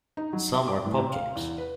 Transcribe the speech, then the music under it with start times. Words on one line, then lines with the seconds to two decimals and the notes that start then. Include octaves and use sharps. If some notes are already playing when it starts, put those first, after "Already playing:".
Some are pub games.
0.17 D#4
0.33 F#3
0.54 E5
0.68 D6
0.85 A2
0.98 C3
1.13 F5
1.35 E2
1.58 B4